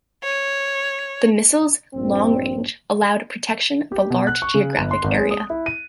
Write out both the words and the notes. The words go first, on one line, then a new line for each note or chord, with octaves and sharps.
The missile's long range allowed protection of a large geographic area.
C#5
A#1 G2 C4
G4
B2
F#6
C#6
C#3
G1
C6
G#1
G#3
D#6
E4
D#7